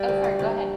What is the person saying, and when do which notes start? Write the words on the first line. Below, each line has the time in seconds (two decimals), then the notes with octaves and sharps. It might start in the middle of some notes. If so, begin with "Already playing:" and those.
Oh, sorry, go ahead.
Already playing: G3
0.08 D2
0.24 D2
0.39 D2